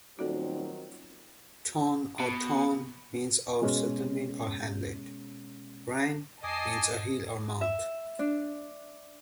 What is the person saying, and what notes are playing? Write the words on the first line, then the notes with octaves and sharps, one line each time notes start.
"Tun" or "ton" means a settlement or hamlet, "rhyn" means a hill or mount.
D#1 D#3 F#3 C4 F#4 A4 D5
B2
B2 G#3 C#4
F2 D#5 G#5 A5 D6 D#6 C7
E5
D4